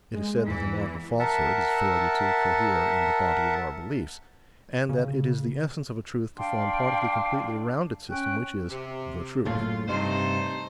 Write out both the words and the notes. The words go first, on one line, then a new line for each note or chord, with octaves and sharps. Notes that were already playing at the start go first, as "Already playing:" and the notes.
It is said that the mark of falsehood is failure to cohere in the body of our beliefs, and that it is the essence of a truth to form part of the completely rounded system which is The Truth.
G#3
E2 E3
A#4 E5 F#5 A5
C#3
D4 F5 G5 C6
C#4 G5 F#6
C3
F#1 A2 A3 F4
G2 C3 A3 D#4 C5